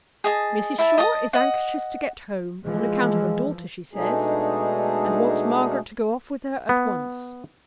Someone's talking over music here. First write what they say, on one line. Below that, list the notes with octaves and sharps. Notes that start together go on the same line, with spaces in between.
Mrs. Shaw is anxious to get home--on account of her daughter, she says--and wants Margaret to go off with her at once.
G#4 D#5 A5
E4 E5 A5
D#5 A5 D#6
D#5 F#5
E3 F3 G#3
B2 G#3 A3 D4 D#4 G#4
B3